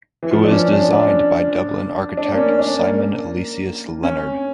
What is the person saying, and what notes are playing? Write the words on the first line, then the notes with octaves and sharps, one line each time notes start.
It was designed by Dublin architect Simon Aloysius Leonard.
E3
F3
D4
C#4
D4
D4
D4
A#3
C#4
D4
A#3
C#4